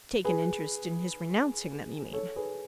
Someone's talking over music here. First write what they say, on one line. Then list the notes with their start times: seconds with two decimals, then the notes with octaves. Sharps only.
"Take an interest in his renouncing them, you mean?"
0.25 G#4 B4
2.13 A4 C#5
2.36 G#4 B4